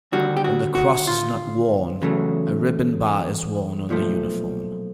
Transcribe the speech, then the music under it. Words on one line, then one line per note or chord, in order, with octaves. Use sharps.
When the cross is not worn, a ribbon bar is worn on the uniform.
D#2 D3 G3 F#4
G4
F#4
F#4
F4
E2 C#3 F#3 A3
B1 A#2 F3 A3